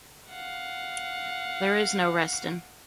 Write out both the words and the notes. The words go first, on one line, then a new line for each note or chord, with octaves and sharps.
There is no resting.
F5 F#5